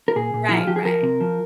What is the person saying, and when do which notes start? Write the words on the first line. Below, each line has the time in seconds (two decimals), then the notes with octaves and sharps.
Right, right.
0.08 A#4
0.16 A#2 G#4
0.34 A#2
0.49 F3 E4
0.59 F4
0.67 F3 G4
0.76 G#4
0.85 F3 A#4
1.02 C3
1.20 F3